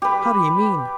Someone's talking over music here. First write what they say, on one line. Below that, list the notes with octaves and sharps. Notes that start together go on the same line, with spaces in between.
"How do you mean?"
G4 B4